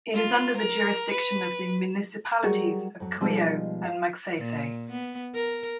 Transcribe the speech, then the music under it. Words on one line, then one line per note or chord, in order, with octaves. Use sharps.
It is under the jurisdiction of the municipalities of Cuyo and Magsaysay.
F4
A#4
B4
F#3 G3 F#4 G#4 A#4
F2 F#3
B2 F3 G3 G#3 D#4
F5
A#2
B3
A#4